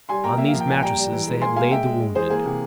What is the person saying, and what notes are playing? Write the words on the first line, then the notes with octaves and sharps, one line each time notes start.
On these mattresses they had laid the wounded.
G3 G#5 C6
A#3 G5 A#5
A#3 E5
F5
F3
G5
A#2 G#5
G3 G5 A#5
G3
E3
G#3
A#3 G#5 C6
A#3 F5 G#5
G#3 E5 G5
G#3
G#3
E3 G#4 C5
A#3 G#4
C3